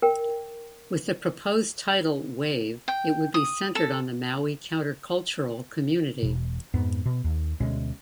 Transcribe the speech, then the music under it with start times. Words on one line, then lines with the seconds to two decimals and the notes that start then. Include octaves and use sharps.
With the proposed title "Wave", it would be centered on the Maui countercultural community.
0.02 A#4 G5
2.88 G5
3.34 D#6
3.75 A4
6.23 E1 B2
6.74 F2 G#2 B3
7.06 B2
7.24 D#2
7.60 D2 B2 G#3 C#4